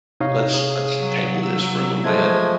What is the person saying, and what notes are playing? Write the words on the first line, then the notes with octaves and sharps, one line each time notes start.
let's let's table this for a little bit,
C3 D#4 C#5 F5
G#4
F#3
E6
F3 G#3 A3 G#6